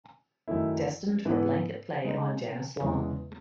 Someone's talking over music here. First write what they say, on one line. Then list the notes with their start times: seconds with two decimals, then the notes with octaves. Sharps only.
Destined for blanket play on Janice Long.
0.48 F#2 D#3 A3 E4
1.25 G#2 E3 B3 E4
2.04 C#3 G#3 D#4
2.81 E2 C#3 E3 G#3 B3